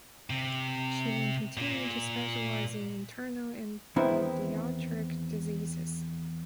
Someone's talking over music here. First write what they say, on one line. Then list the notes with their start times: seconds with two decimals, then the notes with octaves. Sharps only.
She then continued to specialize in internal and pediatric diseases.
0.30 C3
1.57 A#2
3.96 E2 D#3 B3 C4 E4